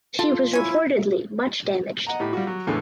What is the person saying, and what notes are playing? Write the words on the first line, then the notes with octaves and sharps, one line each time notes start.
She was reportedly much damaged.
F4 A4
E4 C#5 G#5
D#5 F#5 A#5
A2 G4 B5
G3 F4 F#4
F#3
E2 A2 D3 E3 G#3 B3